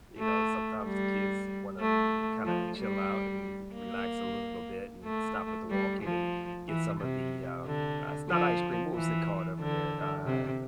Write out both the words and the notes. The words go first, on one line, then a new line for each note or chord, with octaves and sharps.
you know, sometimes the kids wanna kinda chill out and relax a little bit and stop with the walking and get some of the, um, uh, it's not ice cream, what was it called over there? Uh,
A3
G3
A3
F3
G3
A#3
A3
G3
F3
E3
C3
D3
F3
E3
D3
C3